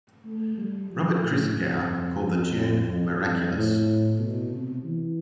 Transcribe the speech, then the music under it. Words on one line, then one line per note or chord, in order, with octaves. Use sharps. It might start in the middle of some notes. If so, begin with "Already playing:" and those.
Robert Christgau called the tune "miraculous".
A3
G3
F3
A2
F2
F2
F2
F2
A2
B2
C3
E3